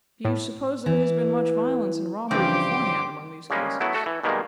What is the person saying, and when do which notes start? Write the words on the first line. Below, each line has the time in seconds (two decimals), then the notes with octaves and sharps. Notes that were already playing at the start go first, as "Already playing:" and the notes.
'Do you suppose there has been much violence and robbery, beforehand, among these cases?'
0.25 A2
0.86 E3
2.31 G2 C#3 E3 F3 C4 G4 C6 D6
3.50 C#3 G3 G#3 A#3 C#4
3.80 F#3 A3 B3 E4
3.94 A3 F#4 A4
4.06 E3
4.23 B2 D#3 G3 G#3 A#3